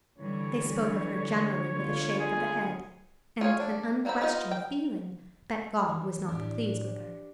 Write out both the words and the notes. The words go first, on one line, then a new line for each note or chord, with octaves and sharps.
They spoke of her generally with a shake of the head, and an unquestioned feeling that God was not pleased with her.
D3 E3 G3 C#5
D3 B3 F4
G#4
F4 G#4 C#5 F5
D4
G3 A#3 C4 F#4 B5
B3 D#4 F4 G#4 D#5
G5
E3
A2 D4 G4